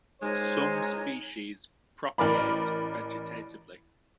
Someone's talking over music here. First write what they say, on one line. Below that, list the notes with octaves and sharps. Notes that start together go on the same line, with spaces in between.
Some species propagate vegetatively.
G#3 D#4 C5 C#5 G#5 A#5
A1 A#4 D5 B5